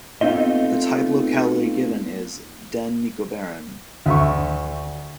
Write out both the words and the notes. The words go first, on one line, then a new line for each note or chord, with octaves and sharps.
The type locality given is "den Nikobaren".
A3 B3 C4 D#4 F4 D#5
D2 E5 C#6